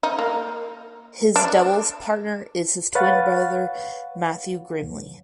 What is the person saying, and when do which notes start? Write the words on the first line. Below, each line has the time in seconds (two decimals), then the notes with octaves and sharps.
His doubles partner is his twin brother Matthew Grimley.
0.03 D#4
0.19 A#3
1.36 D4
2.95 B4 C#5 F5 F#5 A6